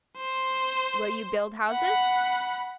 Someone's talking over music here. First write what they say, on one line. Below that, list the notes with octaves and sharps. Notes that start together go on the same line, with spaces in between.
"Will you build houses?"
C5
F#5 B5